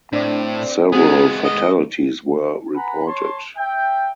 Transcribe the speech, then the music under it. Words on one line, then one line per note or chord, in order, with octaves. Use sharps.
Several fatalities were reported.
A2 C4 D4 D5
G#3 B3 C4 F#4 G#4
D#5
B4 F#5 G#5 A#5 B5
C#5 A5 C6
E5 G5